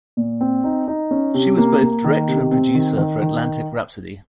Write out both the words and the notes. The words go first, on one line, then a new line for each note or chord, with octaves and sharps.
She was both director and producer for "Atlantic Rhapsody".
A#2
C4
D#4
D#4
C#4
C3
A#3
A#3
D#3
C3
C4
D#3
D#3
D#3